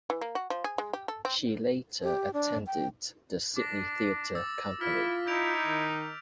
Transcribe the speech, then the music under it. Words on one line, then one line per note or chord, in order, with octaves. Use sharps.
She later attended the Sydney Theatre Company.
E3
A#3
F#4
F3
G#4
G#3
G4
A4
C4
G4
D4
G5
D4 D6 A#6
D6 E6 A6
E4 F4 F6 B6
D#4 E4 G6 D7 F7
D#3